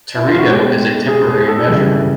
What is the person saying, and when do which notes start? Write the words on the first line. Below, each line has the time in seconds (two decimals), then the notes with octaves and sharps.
Teredo is a temporary measure.
0.15 E4
0.28 F4
0.39 F#4
0.49 B2 G#3 G4
1.08 G#4
1.28 G#4
1.48 A4
1.68 C#3 E3 G3